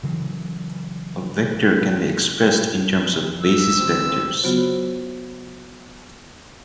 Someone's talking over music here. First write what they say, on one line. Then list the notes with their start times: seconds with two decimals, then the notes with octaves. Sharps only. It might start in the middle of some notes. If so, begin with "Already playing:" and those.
A vector can be expressed in terms of basis vectors.
0.03 C#3 E3 F#3
2.92 F1
3.42 E6
3.76 D2 C4
4.43 C#3 F#3 B3 F4 F#4 C5